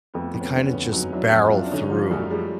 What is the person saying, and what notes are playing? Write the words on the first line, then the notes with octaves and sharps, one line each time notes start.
they kinda just barrel through-
F2 A3 B3
F2
B3 C#4
D3
B3 C#4
F2
F#3 C#4 D#4
F#3 D4 E4
F2 E4 F#4
F4
F#3 D4 E4
D4
D3 C#4 D#4
F3
F#2 G3 A3
F3 G3 G#3